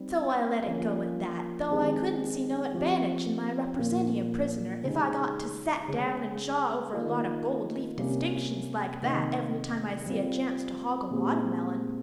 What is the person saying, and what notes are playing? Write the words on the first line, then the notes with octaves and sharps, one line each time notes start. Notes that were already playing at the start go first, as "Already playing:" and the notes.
So I let it go at that, though I couldn't see no advantage in my representing a prisoner if I got to set down and chaw over a lot of gold-leaf distinctions like that every time I see a chance to hog a watermelon.
Already playing: G3 C4 D#4
F3 A#3 C#4 F4
D#3 G#3 C4 D#4 G4
F3 C4 G4
A#2 F3 A#3 F4
C#3 G#3 D#4 G4
C#3 G#3 C#4
D#3 A#3 F4
C3 G3 A#3 C#4 G4
C3 D#3 A#3 D#4
G3 C4 F4
A#2 G#3 C4 G4